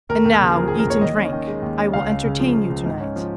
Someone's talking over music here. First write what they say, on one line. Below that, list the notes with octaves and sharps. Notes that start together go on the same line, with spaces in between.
And now eat and drink; I will entertain you to-night.
D#2 A#4
D#2
A#4
C#3
G#4
F3 A#4
G#4
D#2
A#4
D#2 C#5
D#2 D#5
C#4
D#3
G#3
D#2
C#4
C#2 F5
C#2
C#3
F3
C#2
C#2
G#2
C#4
F3